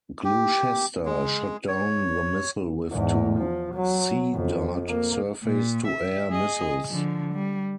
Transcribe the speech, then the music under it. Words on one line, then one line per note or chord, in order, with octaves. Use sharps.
"Gloucester" shot down the missile with two Sea Dart surface-to-air missiles.
G4
G#3
C#5
E2 G#2
F3
F#3
F2
A#3
A#2
E5
G#4 D#5
D3 F3
G3